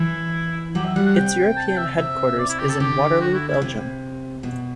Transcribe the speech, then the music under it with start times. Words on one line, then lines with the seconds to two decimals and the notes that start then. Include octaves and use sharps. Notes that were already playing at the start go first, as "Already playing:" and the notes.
Its European headquarters is in Waterloo, Belgium.
Already playing: E3 E4
0.75 F#3 G4
0.85 E5
0.95 G3 F#5
1.06 F#5
1.16 C3 G5
1.57 A5
1.68 G5
1.77 E5
1.98 C3 E5
2.39 D5
2.49 E4
2.59 G4
2.69 A4
2.80 D3 G4
3.21 F#4
3.34 E4
3.48 E4
3.62 C3
4.43 B2